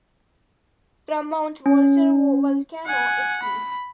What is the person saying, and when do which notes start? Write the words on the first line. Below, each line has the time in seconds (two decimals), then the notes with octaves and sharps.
From Mount Vulture vulcano, Italy.
1.66 C#4
2.86 F#5 G#5
3.43 B5